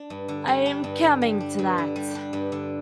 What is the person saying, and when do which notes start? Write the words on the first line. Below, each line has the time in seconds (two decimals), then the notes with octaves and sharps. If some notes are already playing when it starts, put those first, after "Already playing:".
Iâm coming to that.
Already playing: D4
0.10 G2
0.28 D3
0.48 G3
0.66 D4
0.84 G2
1.03 D3
1.22 G3
1.40 D4
1.59 G2
1.78 D3
1.96 G3
2.15 D4
2.33 G2
2.52 D3